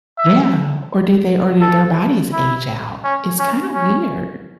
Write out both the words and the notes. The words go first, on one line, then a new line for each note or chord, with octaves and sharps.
Yeah. Or did they or did their bodies age out? It's kinda weird.
E5
A4
E4
C#4
C#4
C#4